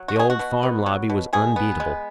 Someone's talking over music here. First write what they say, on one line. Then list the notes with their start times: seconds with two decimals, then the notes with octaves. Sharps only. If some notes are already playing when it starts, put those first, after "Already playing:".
The old Farm Lobby was unbeatable.
Already playing: F#3
0.08 F#4
0.16 B2 G#4
0.30 F#4
0.39 B2
0.63 B3
0.86 F#3
1.10 B2
1.33 B2 G#4
1.56 B3
1.80 G#3